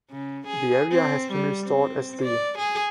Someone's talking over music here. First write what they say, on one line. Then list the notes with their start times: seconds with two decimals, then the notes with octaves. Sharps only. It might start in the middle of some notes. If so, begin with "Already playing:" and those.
The area has been restored as the.
0.10 C#3
0.47 G#4
0.91 C4
1.32 G3
1.67 C4
2.22 D5
2.59 G#4